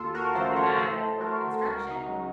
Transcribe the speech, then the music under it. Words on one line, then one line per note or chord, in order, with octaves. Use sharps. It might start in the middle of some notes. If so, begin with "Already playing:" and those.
the guy that worked construction,
Already playing: D#2 F4 A4
F#4 A#4
C#3 F3 A3 A4 C5
A#4 C#5
A2 A4 C5
A3 F#4 A#4
C#2 F#4 A#4
D#4
C#3 F#3